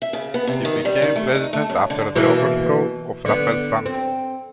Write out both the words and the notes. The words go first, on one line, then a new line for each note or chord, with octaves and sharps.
He became president after the overthrow of Rafael Franco.
E5
C#3
B3
C3
D#3
G3
D#3
A3
D#4
A3
F#2
D3
B2 E3 A#3
D3 B3
C4